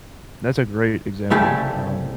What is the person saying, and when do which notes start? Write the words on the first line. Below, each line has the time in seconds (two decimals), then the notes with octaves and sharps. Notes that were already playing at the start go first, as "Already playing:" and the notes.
That's a great example, um,
1.31 C2 C#3 A3 G4 G#5 A5